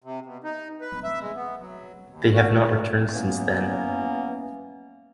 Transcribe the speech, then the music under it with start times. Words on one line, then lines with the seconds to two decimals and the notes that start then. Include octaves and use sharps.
They have not returned since then.
0.04 C3
0.26 B2
0.44 D#4
0.81 B4
1.04 E5
1.20 G#3
1.36 B3
1.59 F#3
2.09 D#2
2.33 F#4
2.46 A3
3.14 E3 F#3 A#3 B3 C#4